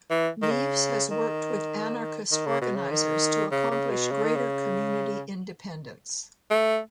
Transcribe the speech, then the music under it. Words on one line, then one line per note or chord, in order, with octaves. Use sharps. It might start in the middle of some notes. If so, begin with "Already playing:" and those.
Nieves has worked with "anarchist organizers" to accomplish greater community independence.
E3
D#3
C#3
D#3
D#3
C#3
B2
C#3
D#3
C#3
C#3
B2
C#3
D#3
C#3
A3